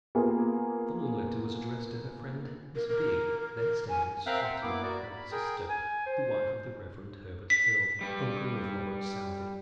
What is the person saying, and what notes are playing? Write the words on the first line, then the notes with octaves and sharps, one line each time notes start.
The following letter was addressed to her friend Miss Bigg, then staying at Streatham with her sister, the wife of the Reverend Herbert Hill, uncle of Robert Southey.
A#3 B3 F4 G#4
A#4
A#4
A#4
G#5
C4 A#4 E5 F5 G5 F#6
E5 F#5 G5 C6
A#3 B3 E4 D6
F#4 A#4 D5
B5
G#4 A#4 G5
G#5
C5
B6
G3 B4